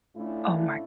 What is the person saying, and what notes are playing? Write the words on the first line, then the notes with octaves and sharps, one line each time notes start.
Oh my
A2 A3 C#4 D4 E4 F4